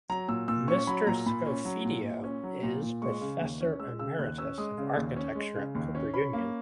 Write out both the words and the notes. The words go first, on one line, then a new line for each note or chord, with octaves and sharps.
Mr. Scofidio is Professor Emeritus of Architecture at Cooper Union.
F#3 A#5
A#2 E6
A#2 E6
C#4 C#6
F#3 B5
A#2 A#5
A#2 B5
C#4
F#3
A#2
A#2
C#4
F#3
A#2
A#2
G#3 C#6
C#3
D#2
C#4
G#3 E6
C#3 E6
D#2 F#6
C#4 E6
G#3 D#6
C#3
D#2
C#4
G#3
C#3
D#2
C#4
C#4 B5
A#3